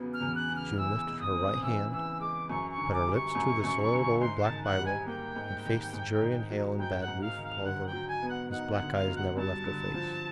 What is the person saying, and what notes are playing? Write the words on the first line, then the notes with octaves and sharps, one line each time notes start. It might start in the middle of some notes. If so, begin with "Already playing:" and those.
June lifted her right hand, put her lips to the soiled, old, black Bible and faced the jury and Hale and Bad Rufe Tolliver whose black eyes never left her face.
Already playing: E2 C#3 F#3 B3
F6
E2
F#6
C#3
F6
E3 E6
G#3
D#6
C4
E3 E6
E3 E6
G#3 D6
F#2 C#6
C#6
D3
D6
G3
C#6
F#2
F#2
D3
G#2 C6
A5
D#3
F#5
G3
G#5
A#3 G5
G#2
D#3
G#2
D#3
F#3
G#2 G5
F#5
G#2
F5
D#3
F5
D3 F#5
G5
F#3
G#5
B3
F#5
D#4 F#5
F#5
D3
F5
F#3
F#5
G2 A5
D3
F3